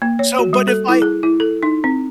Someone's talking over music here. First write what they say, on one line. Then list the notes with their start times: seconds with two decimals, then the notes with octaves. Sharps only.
So, but if I
0.02 A#3
0.19 C#5
0.39 F#4
0.53 G3
0.68 A4
0.89 E4
1.02 G#4
1.23 E4
1.40 A4
1.63 D#4
1.84 C4